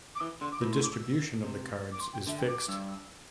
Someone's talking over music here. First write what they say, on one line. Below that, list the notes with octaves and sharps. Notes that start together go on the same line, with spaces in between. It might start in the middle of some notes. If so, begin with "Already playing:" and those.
The distribution of the cards is fixed.
D6
E3 E6
D3 C6
D6
A2 E6
C6
D6
E6
C3
D6
C6
G5
D3 E5
G5
D6
D6
G2 E6
E6